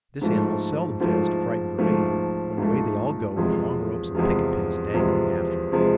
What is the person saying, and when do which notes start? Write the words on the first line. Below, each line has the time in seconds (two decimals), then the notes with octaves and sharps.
This animal seldom fails to frighten the remainder, when away they all go with long ropes and picket pins dangling after them.
0.21 G#2 F3 A3
1.00 G#2 F3 A3
1.78 G#2 F3 A3
2.58 G#2 F3 A3
3.36 E2 C3 F3 G#3
4.15 E2 C3 F3 G#3
4.94 E2 C3 F3 G#3
5.72 C3 F3 G#3